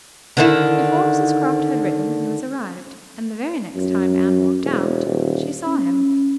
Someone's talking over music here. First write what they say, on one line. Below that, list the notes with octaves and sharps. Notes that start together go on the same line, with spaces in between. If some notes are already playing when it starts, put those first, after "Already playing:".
Before Mrs Croft had written, he was arrived, and the very next time Anne walked out, she saw him.
D3 D#3 E4
F#2
E1
D#1
C#4